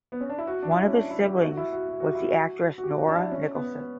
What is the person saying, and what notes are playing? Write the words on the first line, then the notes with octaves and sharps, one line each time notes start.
One of his siblings was the actress Nora Nicholson.
B3
C#4
D4
E4
F#4
D4
E4
C#4
D4
E4
G4
F#4
F#4
E4
F#4
F#4
F#4
G4
E4
F#4
F#4
G4
F#4
D4
E4
C#4
B3